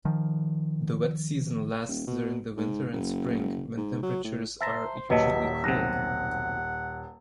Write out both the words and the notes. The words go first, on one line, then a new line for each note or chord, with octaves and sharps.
The wet season lasts during the winter and spring, when temperatures are usually cool.
D#3 F3
D#1
B2
G#2
F#1
G#2
F#3
A2
C5 E5 A5 A#5
D#1 F#3 B4 D#5 E5 A5
B1 C3 F#5 A#6